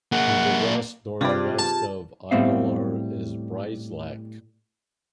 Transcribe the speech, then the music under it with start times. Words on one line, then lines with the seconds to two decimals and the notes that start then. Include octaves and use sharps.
To the west-northwest of Ideler is Breislak.
0.12 A#3 G#4 F#5
1.21 G2 C3 F4 G4 G#4 D5
1.59 A5
2.31 A2 G3 B3 C4 E5 F5